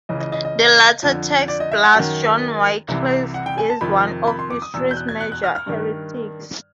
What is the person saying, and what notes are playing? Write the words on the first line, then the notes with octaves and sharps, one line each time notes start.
The latter text blasts John Wycliffe as one of history's major heretics.
C#2 C#3 E3 D#5
D#5
D#5
D#5
F2 D3
D5
D#5
E5
F#5
F#2 D#3
C2 C3 E3
F#5
G5
G#5
A5
F2 C3 D#3 B5
B5
C6
D6
D#6
E2 B2 E6
G6
F#6
G#6
F#6
F#6
F6
F6
G2 D#3